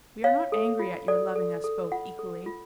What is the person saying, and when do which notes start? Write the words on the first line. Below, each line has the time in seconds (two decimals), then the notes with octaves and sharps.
We are not angry at your loving us both equally.
0.24 C#5 F5
0.52 A4
0.79 F4
1.08 A4 D5
1.36 A4
1.64 A4
1.92 F4 F#5
2.19 A4
2.46 F4